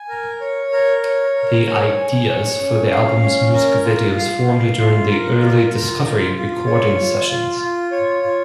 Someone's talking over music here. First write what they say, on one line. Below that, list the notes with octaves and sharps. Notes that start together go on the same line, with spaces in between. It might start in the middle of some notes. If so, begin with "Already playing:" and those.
The ideas for the album's music videos formed during the early "Discovery" recording sessions.
Already playing: G#5
A#4
C#5
A#4
C#5
A#4
C#5
G#5
C#5
C#4
F5
C#4
A#4
F4
F5
F5
F4
A#4
F4
A#4
F4
F4
C#5
F4
F4
F4
C#5
F4